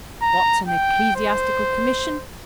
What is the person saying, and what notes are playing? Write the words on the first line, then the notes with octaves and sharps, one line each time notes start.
What's an Ecclesiastical Commission?
A#5
G5
C5